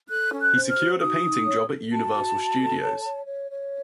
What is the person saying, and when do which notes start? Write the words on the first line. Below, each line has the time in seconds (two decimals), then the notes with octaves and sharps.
He secured a painting job at Universal Studios.
0.09 A4 F#6
0.32 C#4
0.40 F#6
0.55 C5
0.70 F6
0.78 F#4
1.00 D#4 D#6
1.23 D#4
1.46 C#5
1.69 A4
1.91 F#4 A5
2.14 F#4
2.36 F#4
2.59 A4
2.82 C#5
3.05 C#5
3.27 C#5
3.50 C#5